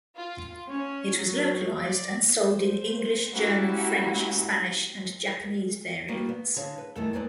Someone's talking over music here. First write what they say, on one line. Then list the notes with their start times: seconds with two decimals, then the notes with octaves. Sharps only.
It was localized and sold in English, German, French, Spanish and Japanese variants.
0.17 F4
0.70 C#4
1.21 F#3
1.77 D5
2.48 C5
3.32 G#3 A#3 C#4 E4 F#4 G4
6.08 G3 A#3 B3 F#4 G4
6.29 B3
6.56 D3 G#4 C#5 F5
6.78 B4
6.96 D#3 E3 G3 A3 A4 A#4
7.13 G#3 A#3 C4 B4 C#5 D5